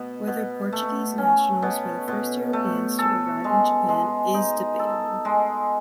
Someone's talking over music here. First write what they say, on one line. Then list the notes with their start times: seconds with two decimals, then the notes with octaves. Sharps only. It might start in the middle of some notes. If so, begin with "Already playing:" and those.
Whether Portuguese nationals were the first Europeans to arrive in Japan is debatable.
Already playing: B2
0.27 B2
0.73 A3
1.18 C#4
1.62 B2
2.08 B2
2.53 A3
2.99 A4
3.44 G#3
3.89 G#3
4.34 D#4
4.79 A4
5.25 G#3